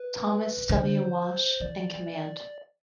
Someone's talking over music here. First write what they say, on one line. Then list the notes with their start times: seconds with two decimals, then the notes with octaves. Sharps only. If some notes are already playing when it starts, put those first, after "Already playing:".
Thomas W. Walsh in command.
Already playing: B4
0.69 D3 C5
1.60 E3 D5